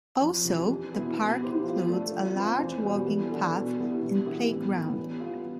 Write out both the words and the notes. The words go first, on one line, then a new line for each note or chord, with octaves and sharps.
Also the park includes a large walking path and playground.
F2
C3 F3 C4
E2
B2 B3 E4 B4
B2
B3 E4 G4 C5
F3
A3 D4
F3
C4 F4 C5
E2
B2 G3 B3
E3
B3 D4 A4
B2
G3 B3 E4
C3
E3 B3 E4 G4
A2
E3 B3 E4
G3
B3 F4